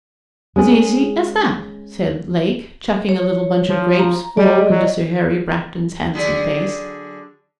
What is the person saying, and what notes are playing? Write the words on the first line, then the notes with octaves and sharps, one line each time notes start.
'As easy as that,' said Lake, chucking a little bunch of grapes full into Sir Harry Bracton's handsome face.
G#3 C#4 G#4
C#5
F3
A#5
G3 D5 D#5
F#3
D3 F#3 G#4